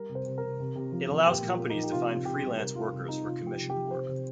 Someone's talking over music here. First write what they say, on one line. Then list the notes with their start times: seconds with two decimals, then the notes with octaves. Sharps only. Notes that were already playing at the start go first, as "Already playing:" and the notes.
It allows companies to find freelance workers for commissioned work.
Already playing: G3 A#4
0.09 C3
0.15 C5
0.25 C3
0.38 A#4
0.43 C3
0.60 C3
0.75 C3
0.92 F3
1.09 F3
1.26 A#2 G4
1.42 A#2
1.47 F4
1.59 A#2
1.70 D#4
1.75 F3
1.83 G4
1.92 C3 F4
2.09 C3
2.25 C3 G4
2.43 G3
2.58 C3 A#4
2.75 G3 F4
2.92 C3 F4
3.08 C3 D#4
3.25 C3 F4
3.42 F3 G4
3.58 C3
3.70 G4
3.75 F3
3.91 C3 C5
4.09 C3